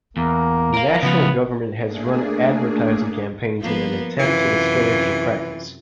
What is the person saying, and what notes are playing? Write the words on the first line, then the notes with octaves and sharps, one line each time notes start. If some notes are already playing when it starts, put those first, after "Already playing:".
The national government has run advertising campaigns in an attempt to discourage the practice.
E2 A#3
A#4 F5
C#3 F3 B3 F5
A3 A#3 D4 G#4
F3 A#3 B3
F#2 C3 E3 F4